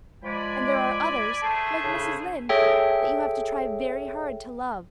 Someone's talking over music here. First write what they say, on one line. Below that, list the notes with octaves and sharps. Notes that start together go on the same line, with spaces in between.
And there are others, like Mrs. Lynde, that you have to try very hard to love.
F3 G#3 D5 G#5 B5
A3 G#4 C5 A5
A2 C#3 D4
G#4 A4 C#5 E5 G5